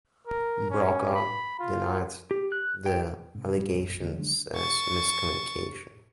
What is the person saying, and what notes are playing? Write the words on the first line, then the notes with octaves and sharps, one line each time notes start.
Brokaw denied the allegations as miscommunication.
A#4
C#4
B5
F4
G4
F#6
G5
G#2 C3
G1 G3
F#1 B1 F#3
A#1 F#2
D3 F3 G3 A3
D3 F#3 G#3 D4
C#6 A6